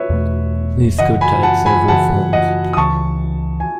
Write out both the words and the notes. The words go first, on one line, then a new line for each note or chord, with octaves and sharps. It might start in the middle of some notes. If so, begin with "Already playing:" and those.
This could take several forms.
Already playing: B4 C#5 E5
E2 B2 A3
F#2 C#3 E3 D#5 F#5
G#5 B5
F#5 A5
G#5 B5
F#2 C#3 E3 F#5 A5
D#5 F#5
D#6
C#2 C#3 E3 A5 C#6
G#5